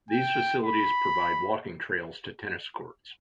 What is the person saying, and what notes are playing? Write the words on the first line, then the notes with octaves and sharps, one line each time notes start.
These facilities provide walking trails to tennis courts.
G5
B5